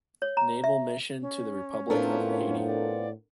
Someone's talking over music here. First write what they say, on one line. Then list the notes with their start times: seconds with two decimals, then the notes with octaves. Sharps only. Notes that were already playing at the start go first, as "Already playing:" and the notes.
Naval Mission to the Republic of Haiti.
0.22 C#5
0.37 A#5
0.64 E5
1.21 C#4
1.90 A2 B3 C4 D4 F4 A4 A#4
2.66 D5